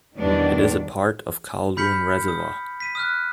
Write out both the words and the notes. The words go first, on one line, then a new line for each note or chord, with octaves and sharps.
It is a part of Kowloon Reservoir.
E2 B2 D#3 G3 B3 D4
B5 F6 G6 B6 C#7 F#7
D#6
B6 D#7
D#6 F6 F#6